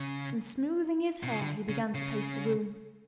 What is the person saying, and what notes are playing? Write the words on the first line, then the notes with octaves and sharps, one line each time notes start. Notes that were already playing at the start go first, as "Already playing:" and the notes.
And smoothing his hair he began to pace the room.
Already playing: C#3
B2
C#3
D3
C#3
C#3